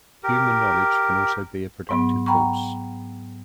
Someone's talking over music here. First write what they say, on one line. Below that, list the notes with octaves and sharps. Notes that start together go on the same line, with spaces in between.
Human knowledge can also be a productive force.
G4 A#4
G#2 F#3 B3
F#5 G5 A#5 B5 C#6